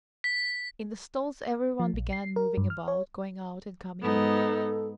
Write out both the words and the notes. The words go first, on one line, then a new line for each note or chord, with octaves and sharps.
In the stalls everyone began moving about, going out and coming in.
B6
F3
A#1
C7
A#4
G2
F6
C#5
G#2 B3 D#4 A4